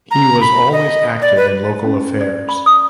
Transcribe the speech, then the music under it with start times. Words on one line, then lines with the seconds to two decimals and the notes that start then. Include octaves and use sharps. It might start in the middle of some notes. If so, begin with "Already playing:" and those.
He was always active in local affairs.
0.11 A#5
0.41 B5
0.72 D#5
1.22 D5
1.37 B4
1.84 C#4
2.21 D5
2.49 B5
2.66 D#6